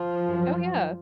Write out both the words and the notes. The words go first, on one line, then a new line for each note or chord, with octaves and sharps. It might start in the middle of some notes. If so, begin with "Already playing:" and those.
Oh, yeah.
Already playing: F3
F#2